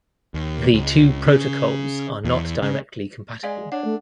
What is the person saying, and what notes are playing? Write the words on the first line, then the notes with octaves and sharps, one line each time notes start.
The two protocols are not directly compatible.
D#2
C#2
C#3
E2
C#3
G#3 D5 F5 G#5
D4 C#5 F#5
A3